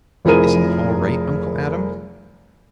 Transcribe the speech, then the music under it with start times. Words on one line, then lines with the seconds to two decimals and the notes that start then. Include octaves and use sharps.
"Isn't it all right, Uncle Adam?"
0.25 F1 F3 E4 G#4 A#4 D#7